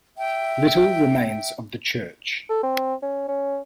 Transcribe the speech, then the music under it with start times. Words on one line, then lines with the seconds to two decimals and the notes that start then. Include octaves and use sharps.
Little remains of the church.
0.18 E5 G5
2.50 A4
2.63 C4
3.02 C#4
3.28 C#4